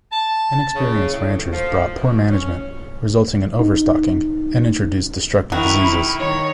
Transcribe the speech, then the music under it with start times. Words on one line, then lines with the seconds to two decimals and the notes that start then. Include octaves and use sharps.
Inexperienced ranchers brought poor management, resulting in overstocking, and introduced destructive diseases.
0.12 A5
0.75 C#3
1.12 A2
1.52 F3
1.94 B2
2.30 C#4
3.59 D#4
5.52 D#3 E4 F#4
6.19 D#3 C#5